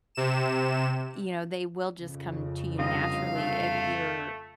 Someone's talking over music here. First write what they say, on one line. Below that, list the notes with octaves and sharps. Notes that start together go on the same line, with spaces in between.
You know, they will just come to you naturally if you're
C3 E7
F2 C#3
G2 C3 D#5 F5
A3